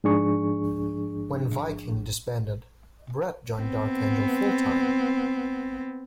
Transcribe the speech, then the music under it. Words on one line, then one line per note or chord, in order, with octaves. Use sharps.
When Viking disbanded, Brett joined Dark Angel full-time.
G#2 F3 D4 G#4 C#6
B3 C4